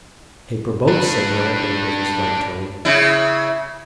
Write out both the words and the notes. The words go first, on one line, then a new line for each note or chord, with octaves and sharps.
"Paper boats," said Melick, in a business-like tone.
D4 B4
C#3 E4